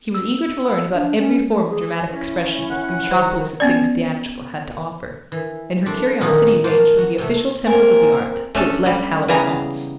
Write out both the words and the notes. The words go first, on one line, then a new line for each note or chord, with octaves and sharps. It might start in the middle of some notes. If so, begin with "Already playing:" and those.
She was eager to learn about every form of dramatic expression which the metropolis of things theatrical had to offer, and her curiosity ranged from the official temples of the art to its less hallowed haunts.
E6
D4
C#4
A3
G#4
C#4 E4
F#5
D#3 F#4 C5
B3 C#4 D5
E3
A3 C4 D4
A#2 D#3 E3 D#4 F#4
A#3 F#4 C5 A5
F#4
C3 A3
A#3 C4 A#4 G#5
A3 C#4 D4 A4
G3
C#3 E3 G3 B3 G#4 A#5